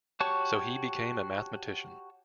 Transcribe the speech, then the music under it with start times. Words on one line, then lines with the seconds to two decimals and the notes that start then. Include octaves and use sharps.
So he became a mathematician.
0.20 F#4 G4 C#5 A5 C#6